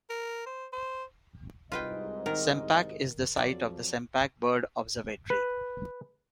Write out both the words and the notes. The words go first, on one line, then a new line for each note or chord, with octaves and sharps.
Sempach is the site of the Sempach Bird Observatory.
A#4
C5
C5
C2 G#2 F4 B4 D#5 G5
D#3 A#4
F2 F3 F#3 D5
B4